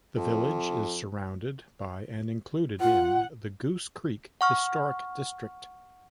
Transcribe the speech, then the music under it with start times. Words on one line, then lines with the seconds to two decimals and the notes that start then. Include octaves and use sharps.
The village is surrounded by and included in the Goose Creek Historic District.
0.17 F2
2.80 F4 F#5
4.41 F#5 C#6 F6